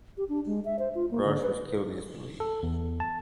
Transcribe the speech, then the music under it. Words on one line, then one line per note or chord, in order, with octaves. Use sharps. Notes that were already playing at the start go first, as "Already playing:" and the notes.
Rosch was killed instantly.
G4
D4
G#3
E5
C5
F4
A#3
D3
B4
A4
E2
A5